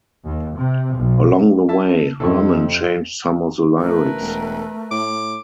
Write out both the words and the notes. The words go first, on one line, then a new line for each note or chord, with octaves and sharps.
Along the way, Herman changed some of the lyrics.
D#2
C3
B1
E4 E5 A5
F2 C3 E4 A4
A1 A3 A#4 B4
E1
A2 D6